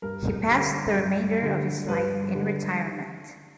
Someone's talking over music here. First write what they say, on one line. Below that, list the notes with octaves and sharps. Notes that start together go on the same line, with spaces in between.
He passed the remainder of his life in retirement.
G2 A#4
D3 G3
G2
D3 G3
G2 B4
D3 G3